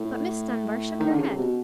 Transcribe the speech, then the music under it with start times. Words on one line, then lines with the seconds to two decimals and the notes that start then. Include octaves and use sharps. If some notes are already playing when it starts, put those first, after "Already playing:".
But Miss Dunbar shook her head.
Already playing: A2
1.00 D#3
1.09 D3
1.19 C#3
1.28 C3
1.37 B2